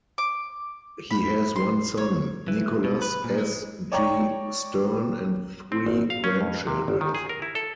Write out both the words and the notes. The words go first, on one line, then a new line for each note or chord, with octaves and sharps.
He has one son, Nicholas S. G. Stern, and three grandchildren.
D6
B5
C6
C#5
E3
B2
B4
A#2
G#3
C#5 D5 G5 A#5 C#6
C4
G#1
F5
C#4
F2
C3
G1
D#3
G#4
A#4
E4
A4